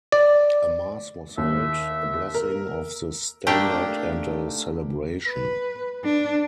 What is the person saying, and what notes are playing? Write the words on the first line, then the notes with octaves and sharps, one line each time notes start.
A mass was held, a blessing of the standard and a celebration.
D5
D#2 E5
A#4
A3 A#3 D4 G4
B4
D4